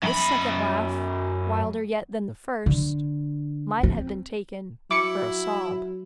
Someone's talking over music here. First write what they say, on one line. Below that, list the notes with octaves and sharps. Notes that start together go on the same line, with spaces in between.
This second laugh, wilder yet than the first, might have been taken for a sob.
F#2 B5
D3
C4
F#3 E4 D6 C#7